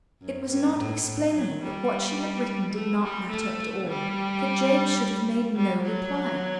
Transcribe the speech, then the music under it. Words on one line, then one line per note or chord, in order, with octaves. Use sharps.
It was not explainable that what she had written did not matter at all, that James should have made no reply.
F#2
G2
A2
A2
F#3
G3
A3
G3
A3
G3
G3
F#3